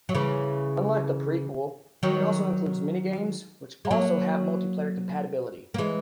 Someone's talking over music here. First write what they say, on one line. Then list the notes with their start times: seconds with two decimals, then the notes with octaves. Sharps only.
Unlike the prequel, it also includes mini-games, which also have multiplayer compatibility.
0.09 F#3
0.15 C#3 E3
2.03 D#3 F#3
3.85 G#3
3.91 F#3 A#3
5.74 A#3
5.78 E3 G#3